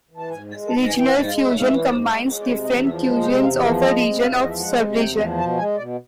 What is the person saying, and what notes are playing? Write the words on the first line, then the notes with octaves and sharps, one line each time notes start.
Regional fusion combines different cuisines of a region or sub-region.
E3
A5
G#2 G#5
G#3
G#2 A5
E3 G#5
G5
G#2 F#5
G#3 F5
G#2 E5
F5
E3 E5
G#2 D5
G#3
G#3
D5
C3 C#5
E2 D#5
F3 E5
G#3 C5
C3 C5
E2 F5
F3 E5
G#3 D#5
C3
E2 F5
E5
F3 D#5
E5
G#3 F#5
C3
E2 G5
F3
B2 A5
G#3 G#5
B2 D5